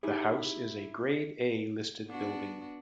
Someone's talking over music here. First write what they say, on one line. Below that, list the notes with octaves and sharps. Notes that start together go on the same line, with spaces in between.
The house is a Grade A listed building.
D#4 E4 G4 G#4
B3 D4 F#4